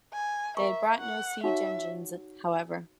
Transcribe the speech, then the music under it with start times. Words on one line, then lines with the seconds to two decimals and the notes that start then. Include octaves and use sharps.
They had brought no siege engines, however.
0.14 G#5
0.57 A#4 D#5 E5 A#5 C#6
1.01 F#5
1.43 D#4 F#4 C#5 E5 F#5 C#6